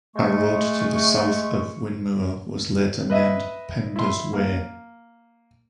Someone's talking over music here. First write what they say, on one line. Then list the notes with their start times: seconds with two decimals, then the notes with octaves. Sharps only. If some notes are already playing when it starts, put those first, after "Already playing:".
A road to the south of Whinmoor was later named Penda's Way.
0.15 G#3 A3 C#6
3.10 B4 D#5 E5
3.96 E4 C6
4.33 A#3